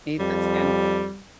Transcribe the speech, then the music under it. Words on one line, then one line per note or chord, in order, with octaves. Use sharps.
Eat the skin with
F2 G3